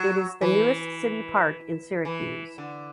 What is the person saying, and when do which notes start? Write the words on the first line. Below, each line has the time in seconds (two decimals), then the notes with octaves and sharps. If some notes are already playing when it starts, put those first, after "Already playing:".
It is the newest city park in Syracuse.
Already playing: F#3
0.41 E3
2.05 E3
2.58 D3